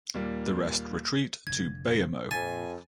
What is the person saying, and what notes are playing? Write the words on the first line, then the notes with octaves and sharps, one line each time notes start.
The rest retreat to Bayamo.
D#2 A#2 G3 A#3
F1 D3 G#6
F2 A#2 G#5 A6